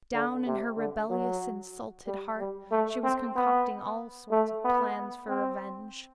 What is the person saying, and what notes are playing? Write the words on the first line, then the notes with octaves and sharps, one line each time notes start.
Down in her rebellious, insulted heart she was concocting all sorts of plans for revenge.
D3
C3
D3
F#3
G3
G3
A3
C4
B3
A3
B3
C4